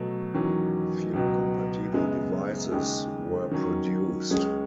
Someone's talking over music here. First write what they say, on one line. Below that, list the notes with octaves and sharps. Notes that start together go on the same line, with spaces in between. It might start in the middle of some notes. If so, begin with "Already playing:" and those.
A few compatible devices were produced.
Already playing: B2 F#3 A3
E2 D#3 F#3 C#4
C#2 B2 F#3
F#2 C#3 G#3 B3
D#2 C#3 G#3
D#3 F#3 C#4
C#2 C#3 G#3 C#4 G#4